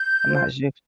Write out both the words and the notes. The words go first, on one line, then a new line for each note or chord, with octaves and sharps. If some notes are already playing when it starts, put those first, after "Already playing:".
I'm not sure
Already playing: G6
F4 C5